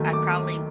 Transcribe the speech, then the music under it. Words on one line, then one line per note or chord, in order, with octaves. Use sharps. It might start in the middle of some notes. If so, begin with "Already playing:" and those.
I probably
Already playing: D#2 D#3 F#3 A3
D6